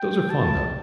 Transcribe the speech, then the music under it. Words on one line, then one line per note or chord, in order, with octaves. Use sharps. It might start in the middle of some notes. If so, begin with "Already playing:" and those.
Those are fun, though.
Already playing: G5
A5